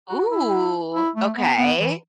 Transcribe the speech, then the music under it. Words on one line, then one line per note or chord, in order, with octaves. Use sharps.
Ooh, okay.
F#4
E4
E4
A3
B3
B3
E3